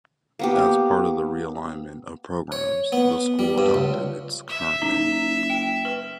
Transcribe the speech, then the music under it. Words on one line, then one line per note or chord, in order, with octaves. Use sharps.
As part of the realignment of programs, the school adopted its current name.
A#3 B3 G4
C#5
B3
G3
G2
C#2
E5
F#1 D#4
G5
B4